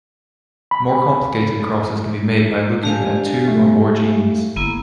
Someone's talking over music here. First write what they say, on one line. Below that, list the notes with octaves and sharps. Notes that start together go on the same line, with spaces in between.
More complicated crosses can be made by looking at two or more genes.
B5
D4 G4 F5 G#5
A3
G1 A#3 B3 E4